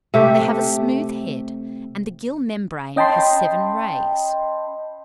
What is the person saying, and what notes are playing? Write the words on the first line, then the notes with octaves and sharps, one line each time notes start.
They have a smooth head, and the gill membrane has seven rays.
C3 A3 G4
C#4 D#5 G5 A5 B5 C6